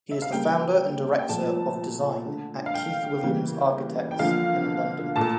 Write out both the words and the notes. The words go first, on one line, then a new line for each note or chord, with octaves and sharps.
He is the founder and director of design at Keith Williams Architects in London.
E5
F5
C#3 G3 A#3 G5
G5
A#2 F3 A3 A5
D3 A3
F5
G5
C#3 E3 G3 A#3
G5
D3 F3 A#3 F5
A#2 A3 A5